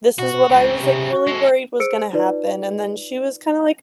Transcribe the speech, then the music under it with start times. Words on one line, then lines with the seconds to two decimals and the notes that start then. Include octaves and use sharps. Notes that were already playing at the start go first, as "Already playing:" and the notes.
this is what I was, like, really worried was gonna happen." And then she was kinda, like,
0.19 B2 F#4
0.32 B2
0.50 C#2 C#3 C4
0.79 C3
1.13 F#4
1.27 G#3 A4
1.79 G#4 C5 E6 C#7 D7
2.13 D#4 F4 B4 D5